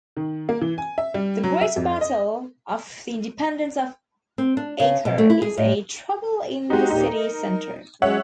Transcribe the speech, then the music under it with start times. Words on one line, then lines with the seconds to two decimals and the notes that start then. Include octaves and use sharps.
The "Great Battle of the Independence of Acre" is a trouble in the city-centre.
0.17 D#3
0.49 A#3
0.61 E3
0.78 G#5
0.98 E5
1.14 G3
1.44 F#3
1.61 E5
1.76 F2
2.01 D#5
4.38 C4
4.57 D4
4.80 C#3
5.05 B2
5.18 A3
5.30 E4
5.42 G#4
5.57 A2
6.70 G#3 D#4 F#4 G4
6.90 D#2 A#2 D#4 G4
7.15 A#4
8.02 F#3 G#3 C#4 C#5 E5 F#5